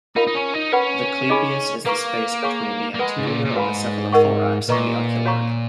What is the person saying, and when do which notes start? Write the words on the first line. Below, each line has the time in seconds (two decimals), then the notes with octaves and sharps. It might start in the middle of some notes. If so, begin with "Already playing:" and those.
The clypeus is the space between the anterior of the cephalothorax and the ocularium.
0.16 D#4 F4 A#4 F5 B5
0.27 D#4
0.35 C#4
0.54 D#4
0.72 C#4 B4 F#5 B5
1.29 D#4 G#4 D#5 G#5 B5
1.86 A#3 B4 F5 A#5 C#6
2.42 G#4 C#5 F5 G#5 C#6
2.95 A#3
2.99 G#3 B4 F#5 B5
3.18 G#2
3.27 A#2
3.45 A#2
3.56 G#2 F#4 B4 F5 B5
4.13 A#4 D#5 F#5 C#6
4.69 A#2 B4 D#5 A#5 C#6
5.25 F#4 C#5 F5 A#5 C#6